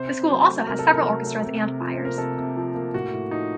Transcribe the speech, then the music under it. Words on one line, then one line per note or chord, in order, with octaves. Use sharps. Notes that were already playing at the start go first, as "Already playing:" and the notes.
The school also has several orchestras and choirs.
Already playing: C3 C5
C3
F#3
A3
C3 A#4
A4
C3
A#4
F#3
A3
C3
C3
F3
C5
A#3
A#4
C3 A4
C3
F3
A#3
A2 F#4
A2
F3 D#4